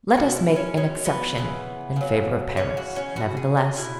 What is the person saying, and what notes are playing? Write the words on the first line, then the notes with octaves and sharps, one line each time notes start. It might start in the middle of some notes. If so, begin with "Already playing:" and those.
Let us make an exception in favor of Paris, nevertheless.
B2 G#3 F#4
E4
C#4
B2 G#3 C#4
B3
C#3 E3 G#3
C#3 F#3
C#3 E3 G#3 C#4
F#4
C#4
B2 G#3 F#4
G#4
C#4
B2 G#3 E4